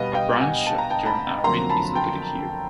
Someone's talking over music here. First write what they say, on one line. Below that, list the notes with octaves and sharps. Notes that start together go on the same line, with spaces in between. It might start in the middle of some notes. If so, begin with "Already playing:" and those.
A branch of the German Army is located here.
Already playing: B2 G3 B3 D#5 F5
F5 G5
F#5 G#5
A5
A#5
G5 A5
A5 B5
F2 D3 F#3 A#3 A#5 C6
A5 B5
G5 A5